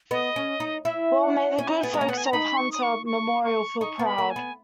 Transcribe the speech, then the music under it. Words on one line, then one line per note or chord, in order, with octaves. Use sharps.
Well may the good folks of Hunter Memorial feel proud.
B3 D#5
C#4
D#4
E4 E5
F#5
C#4 G#5
A#5
G#5
B3
G#3 A#5
A#3
B3 F#5
G#5
A#5
D#4 B5
C#6
D#6
C#6
C#6
C#6
D#4 C#6
B3
B5
A#3
G#5
B3